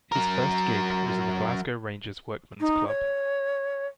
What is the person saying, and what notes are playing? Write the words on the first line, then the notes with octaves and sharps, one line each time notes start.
His first gig was in the Glasgow Rangers Workman's Club.
F#3 A#4
D#4
C#5